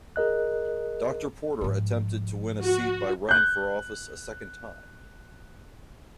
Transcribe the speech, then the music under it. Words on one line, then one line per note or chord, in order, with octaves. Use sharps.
Doctor Porter attempted to win a seat by running for office a second time.
G#4 A#4 D#5 F#6
G#2 F3
F#4
F#6 G6